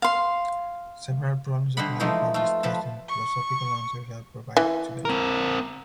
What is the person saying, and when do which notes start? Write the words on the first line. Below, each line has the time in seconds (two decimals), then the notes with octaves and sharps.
Several problems of life are discussed and philosophical answers are provided to them.
0.02 F5 C6
1.77 D3 G3 C5 D#5 F#5 B5
2.00 E3 F3 G#3 A3 D#4
2.34 A3 F4
2.63 F3 B4 A5
3.09 C#6
4.57 E3
5.05 C4 A#4